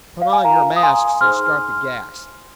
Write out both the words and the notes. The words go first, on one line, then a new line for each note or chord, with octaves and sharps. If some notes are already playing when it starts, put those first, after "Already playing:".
Put on your masks and start the gas!
F5
G#5
F4 A#4 F5 A#5
D#6
G#5 C6
D#4 G#4 C5 C6 F6